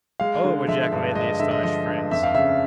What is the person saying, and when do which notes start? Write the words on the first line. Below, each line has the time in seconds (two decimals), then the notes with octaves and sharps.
"Oh!" ejaculated the astonished friends.
0.20 G#3 F5
0.44 D3
0.67 F3 E5
0.92 G2
1.15 G#3 D#5
1.40 D3 E5
1.51 D#5
1.63 F3 D#5
1.87 G2
2.11 F2 E5
2.23 F5
2.35 C#3 E5